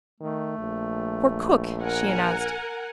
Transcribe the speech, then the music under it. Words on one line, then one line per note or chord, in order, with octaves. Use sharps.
"For cook," she announced.
D#3 A3
A#1
A#4 F#5 G#5